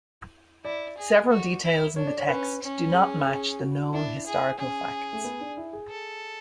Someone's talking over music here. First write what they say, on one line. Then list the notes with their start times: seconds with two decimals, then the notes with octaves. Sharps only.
Several details in the text do not match the known historical facts.
0.64 E4 D5
0.97 G#4
1.30 F#4
1.64 E4
1.96 D4 C#5
2.07 D5
2.18 C#5
2.28 C#4 B4
2.61 C#4
2.94 G#4
3.27 G#4
3.60 F#4
3.93 D4 E4
4.26 G#4
4.58 C#4 G#4
5.13 A3
5.24 B3
5.40 D4
5.57 E4
5.73 G#4
5.90 A4